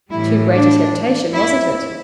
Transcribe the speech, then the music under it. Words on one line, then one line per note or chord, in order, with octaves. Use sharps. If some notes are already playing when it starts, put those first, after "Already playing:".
Too great a temptation, wasn't it?
A2 E3 G3 E4
D4
E4